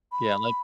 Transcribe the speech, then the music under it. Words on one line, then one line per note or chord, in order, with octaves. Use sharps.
Yeah, like
B5